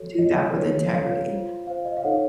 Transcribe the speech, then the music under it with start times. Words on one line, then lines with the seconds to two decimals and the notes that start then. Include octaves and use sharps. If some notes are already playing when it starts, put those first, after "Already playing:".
do that with integrity.
Already playing: F#4 A4 C#5
0.19 F#4 A4 C#5 D#5
0.56 F4 A4 C#5
0.93 F4 A4 C#5 F5
1.30 F4 C5
1.67 F4 C5 F5
1.85 D#5
1.97 F5
2.03 D#4 A4 C#5 F#5